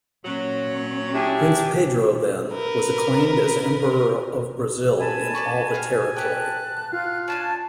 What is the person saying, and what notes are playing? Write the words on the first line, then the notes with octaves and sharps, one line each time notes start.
Prince Pedro, then, was acclaimed as Emperor of Brazil in all the territory.
A#2 F#3 C#4
D4 E4 G4 G#4
A#4 B4
G#5 A5 B5
A4 D5 C#6
C4 C5 F6
B3 G4 G5 A5 F#6
F4 F5
C#4 D4 G#5 A5